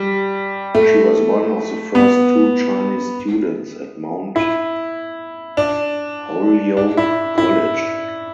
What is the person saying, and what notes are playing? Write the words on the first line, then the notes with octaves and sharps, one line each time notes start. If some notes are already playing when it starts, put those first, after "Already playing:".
She was one of the first two Chinese students at Mount Holyoke College.
Already playing: G3
A3
B3
E4
D4
D4
E4
E4